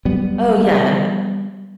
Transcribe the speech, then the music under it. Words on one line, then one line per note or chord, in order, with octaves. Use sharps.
Oh, yeah.
F#3 G3 B3